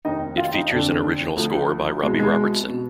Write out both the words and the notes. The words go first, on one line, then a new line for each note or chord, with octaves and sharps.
It features an original score by Robbie Robertson.
F1 D#2 D#3 D#4
F4
D#4
F1 F2 D3 D4
D2 D3 F3
C2 B2 G#3
G#3
B2